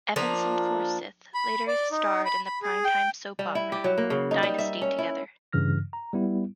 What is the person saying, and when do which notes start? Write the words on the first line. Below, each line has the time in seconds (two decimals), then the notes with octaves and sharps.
Evans and Forsythe later starred in the primetime soap opera "Dynasty" together.
0.16 F3 A#3 D4 A#5
1.34 B5
1.67 D5
1.92 D#4
2.25 B5
2.45 B5
2.62 G#4
2.85 G5
3.39 G3
3.55 E4
3.72 G4
3.84 F#3
3.98 A#3
4.10 C#3
4.31 D#4
4.43 G3
4.58 E5
4.81 C#4
4.98 E4
5.53 G2 C#3 E3 F6 A#6
5.93 A#5
6.13 G3 B3 E4